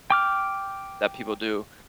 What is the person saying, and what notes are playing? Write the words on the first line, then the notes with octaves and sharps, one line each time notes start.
that people do.
G5 D6 F6